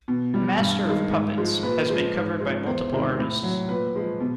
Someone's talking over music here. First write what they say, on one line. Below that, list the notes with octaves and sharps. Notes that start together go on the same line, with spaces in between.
"Master of Puppets" has been covered by multiple artists.
B2
G3
G2
D#3 G#3
G#2
F3 G#3
A#2 B4
F3 G#3
G#2
F3 G#3
E2 C5
C3 D#3 G#3
A2
F#3
A#2 B4
F3 G#3
B2